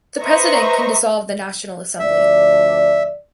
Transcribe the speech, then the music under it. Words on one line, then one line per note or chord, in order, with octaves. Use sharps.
The President can dissolve the National Assembly.
B4 C5 D#5 E5 A#5 C#6
D2 F3 D5 E5